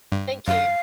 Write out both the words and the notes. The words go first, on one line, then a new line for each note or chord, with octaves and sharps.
Thank you.
G2
F#2 F5